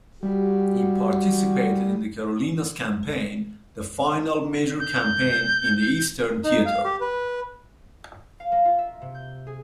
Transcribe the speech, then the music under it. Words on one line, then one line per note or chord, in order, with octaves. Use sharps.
He participated in the Carolinas Campaign, the final major campaign in the Eastern Theater.
G3 F#4 G4
G6
D#4
F5
G4
B4
F5
A#3
F4
E5
C3
G6
G#4